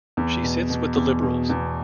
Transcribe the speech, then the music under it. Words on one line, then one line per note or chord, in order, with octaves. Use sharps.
She sits with the Liberals.
E2
B2
B2
E2
B2
E2